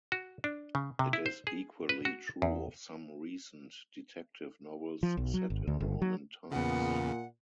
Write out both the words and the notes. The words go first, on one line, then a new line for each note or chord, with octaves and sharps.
It is equally true of some recent detective novels set in Roman times.
F#4
D4
C#3
C3
E4
C5
G#4
B4
F#4
E2
F3
B1
F#3
G#1
D2
G1
F#3
E2 A#2 C#3 B3 F#5